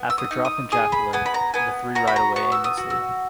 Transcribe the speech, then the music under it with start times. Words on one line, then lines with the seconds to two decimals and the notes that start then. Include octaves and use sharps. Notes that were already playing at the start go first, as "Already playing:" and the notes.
After dropping Jacqueline, the three ride away aimlessly.
Already playing: B3
0.10 E6
0.18 D#6
0.31 D#4
0.45 D#6
0.72 G#4 D#6
0.92 B5
1.13 B3 G#5
1.26 B5
1.34 A#5
1.54 B3 G#5
1.95 F#4 A#5
2.07 B5
2.16 A#5
2.36 B3 C#6
2.52 E6
2.64 D#6
2.77 F#4
2.90 E6